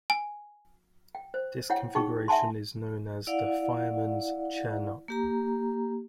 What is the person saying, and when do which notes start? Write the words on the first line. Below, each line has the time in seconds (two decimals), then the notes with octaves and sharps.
This configuration is known as the fireman's chair knot.
0.10 G#5
1.15 G5
1.34 C5
1.70 E4 C#5 F#5 G5
1.95 D#4 G#4 G5 C#6
2.28 E5 F#5 G#5 A5 C6
3.27 E4 D5 F5 F#5
5.08 A#3 G4 A#5